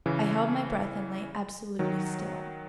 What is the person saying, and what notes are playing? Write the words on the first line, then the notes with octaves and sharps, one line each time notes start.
I held my breath and lay absolutely still.
C#3 E3
D#3 F#3